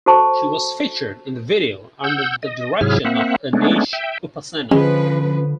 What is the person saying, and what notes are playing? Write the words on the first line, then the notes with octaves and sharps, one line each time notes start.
She was featured in the video under the direction of Aneesh Upasana.
F#4 A4 C5 A5 C#6
F#5 E6 G6
D#5
G#2 C3 F#3 E4 G#4 F6
A#3 C4 E5 F#5
G#3 A3 B3 C#4 D4
E5 G5
D3 F3 G#3 C#4 B4